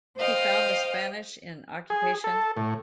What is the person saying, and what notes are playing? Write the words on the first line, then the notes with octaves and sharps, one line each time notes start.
He found the Spanish in occupation.
C5 D#5 F5 G5
G#4
A4
A2